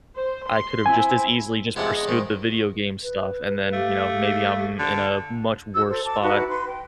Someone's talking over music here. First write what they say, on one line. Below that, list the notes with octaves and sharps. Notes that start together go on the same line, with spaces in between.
I could have just as easily just pursued the video game stuff and then, you know, maybe I'm in a much worse spot,
C5
C6
C4 E4 G#5
C3 F3 G#3 B3 D4 G#4 F#5
E2 D#5
G#2 D#3 C5
B4
A3 G4 F5
D3
F#4 E6
A4 C5
A5 D6
D#4 E4 F#4 B4
B4 C6
G5